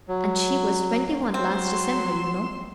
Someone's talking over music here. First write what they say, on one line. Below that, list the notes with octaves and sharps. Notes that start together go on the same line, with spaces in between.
And she was twenty-one last December, you know.
F#3
F#3 C4 C6 E7